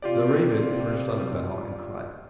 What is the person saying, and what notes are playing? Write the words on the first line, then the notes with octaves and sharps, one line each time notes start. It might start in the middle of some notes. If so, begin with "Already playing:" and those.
The raven perched on a bough and cried.
C3 F4 G4 D5